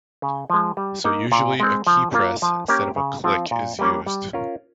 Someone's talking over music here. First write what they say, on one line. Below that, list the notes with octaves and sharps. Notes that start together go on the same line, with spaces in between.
So usually a keypress instead of a click is used.
C#3
F3 G#3
G3
A#3 D#4
A#2
G#3 C4
F3
A#3 F4
F3
A#3 C#4 G4 A#4
C#3
F3 C4 F4
A#2
G3 A#3 C#4
G3
C#4 F4 A#4